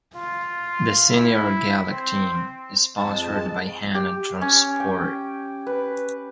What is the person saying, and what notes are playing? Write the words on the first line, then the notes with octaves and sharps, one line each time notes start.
The Senior Gaelic team is sponsored by Hannon Transport.
F4
E4
C4
F2 G#3 A5
G4
C#4
G5
B4